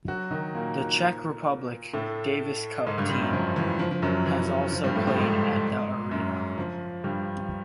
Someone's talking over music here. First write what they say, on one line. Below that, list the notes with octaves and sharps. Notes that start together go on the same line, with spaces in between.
The Czech Republic Davis Cup team has also played at the arena.
F#3 F#4
D#3 D#4
A#2 A#3
A2 A3
G#2 G#3
G2 G3
G2 G3
F#2 F#3
F3
E3
F3
F3
F#2 F#3
E3
F3
G2 G3
A2 A3
A2 A3
G#2 G#3
F#2 F#3
F3
G2 G3